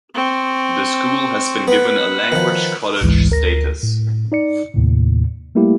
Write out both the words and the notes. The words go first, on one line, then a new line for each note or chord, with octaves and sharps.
The school has been given a Language College status.
C4 C#6
B3 B4 F#5
D#3 F3
A1 D2 G#2 E3 G#3
D2 A#4 A#6
A2
D#4 D5 C#7
D#2 A2 C3
G3 A3 A#3 E4 G4